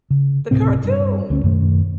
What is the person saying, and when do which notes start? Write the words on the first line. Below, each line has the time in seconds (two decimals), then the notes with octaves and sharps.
The cartoon.
0.11 C#3
0.51 D1 A2 C3 C4
0.85 G2
1.30 D2 C#4
1.44 F#2 B2 D#3 A3